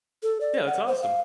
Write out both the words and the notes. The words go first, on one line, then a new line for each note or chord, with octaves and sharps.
Yeah, that's awesome.
A4
D5
F#5
C5
F5